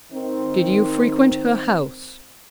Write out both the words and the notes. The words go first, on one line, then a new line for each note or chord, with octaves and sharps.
"Did you frequent her house?"
D#3 C4